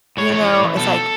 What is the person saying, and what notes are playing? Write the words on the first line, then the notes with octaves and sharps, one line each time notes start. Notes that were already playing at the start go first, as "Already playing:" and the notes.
you know, it's like
A2 C#5
E3 C#5
A2
E3
B2 A4